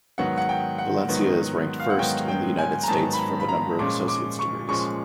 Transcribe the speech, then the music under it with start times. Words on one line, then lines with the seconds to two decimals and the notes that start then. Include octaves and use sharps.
Valencia is ranked first in the United States for the number of associate's degrees.
0.18 G#2 D#3 F#3 B3 F#5
0.38 F#5
0.49 G5
0.78 F#5
1.08 G#2 D#3 F#3 B3
1.80 F5
1.90 F#5
1.98 G#2 D#3 F#3 B3 G5
2.28 G5
2.58 G#5
2.83 A#5
2.88 G#2 D#3 F#3 B3 A5
3.13 B5
3.18 A#5
3.40 B5
3.48 A#5
3.79 A#2 F3 G#3 C#4 D6
4.08 D6
4.39 C#6
4.69 A#2 F3 G#3 C#4 C#6